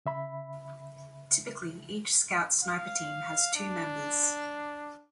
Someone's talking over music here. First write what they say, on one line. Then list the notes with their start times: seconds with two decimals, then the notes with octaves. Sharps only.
Typically, each Scout Sniper team has two members.
0.06 C#3 E5 B5
2.63 F5
3.55 D4